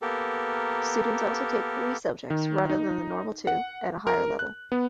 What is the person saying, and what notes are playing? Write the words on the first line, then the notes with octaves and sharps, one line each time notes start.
Students also take three subjects, rather than the normal two, at a higher level.
A#3 B3 G4 A4 A#4
D#3
D#4
F#5
A#4
F#6
B3